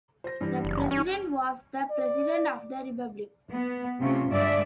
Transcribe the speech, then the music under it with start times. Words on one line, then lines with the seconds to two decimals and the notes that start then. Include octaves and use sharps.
The President was the President of the Republic.
0.24 C5 A#6
0.41 G2 E3 G3
0.65 F#1
0.91 C#4
1.90 D5
3.50 B3
4.01 C3 A3 C#4 F4
4.31 G2 D3 G#3 D5 E5